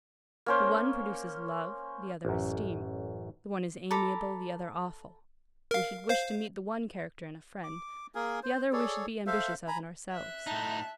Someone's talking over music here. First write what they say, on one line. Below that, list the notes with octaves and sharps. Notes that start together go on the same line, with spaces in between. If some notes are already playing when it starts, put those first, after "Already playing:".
The one produces love, the other esteem: the one is amiable, the other awful: we should wish to meet the one character in a friend; the other we should be ambitious of in ourselves.
A#3 C#4 C5
A1 F#2
A4 A#5 B5 D6
A#4 F5
C5 F5
D6
A#3 G#4 A#4 G#5
C5
G#4 A4 C#5 D5
A4 C5 E5 F5
G#5 A#5 B5
E5 F#6
A2 D#4 A5